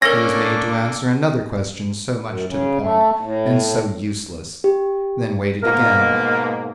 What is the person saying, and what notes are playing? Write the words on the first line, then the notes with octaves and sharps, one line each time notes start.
He was made to answer another question so much to the point and so useless, then waited again.
A#3 C#4 D4 A4 A#4 G#6 A#6
F#2
C#3
A3
A2
G4
G#2 B2 A#3 A#4